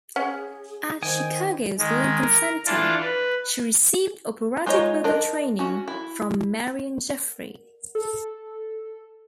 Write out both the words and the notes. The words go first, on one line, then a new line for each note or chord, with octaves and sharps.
At Chicago's Lincoln Center, she received operatic vocal training from Marion Jeffery.
C#4 G#4 F#5
D#3 C5 G5 G#5 D#6
D#3 G#3
A#4
E3 D4 F4 A4 D5
B4
G#3 D#4 F4 C#5 D#5
D4 A#4 D#5
C#4 F#4
E4
A4